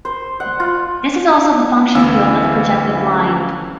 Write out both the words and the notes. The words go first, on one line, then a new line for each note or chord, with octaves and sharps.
This is also the function field of the projective line.
C5
F#5
F4
D2 E3 C#4 E4 F5 E6